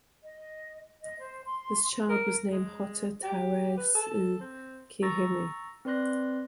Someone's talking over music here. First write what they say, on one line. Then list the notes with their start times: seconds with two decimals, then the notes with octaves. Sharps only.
This child was named Hottataraisukihime.
0.23 D#5
1.01 D#5
1.19 C5
1.44 C6
2.09 A#4
2.51 G#3
3.23 G4
3.77 B4
3.95 A4
4.40 C4
5.02 A#5 C#6 E6 A6 A#6
5.85 C4 B4 D5 C6 F#6 A#6